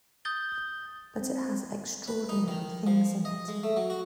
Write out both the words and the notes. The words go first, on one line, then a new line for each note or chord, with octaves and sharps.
But it has extraordinary things in it.
D#6 G6 A6 G7
C4
B4
D#4
D#3
F3
D#5
G#3
A3
F#3
F#4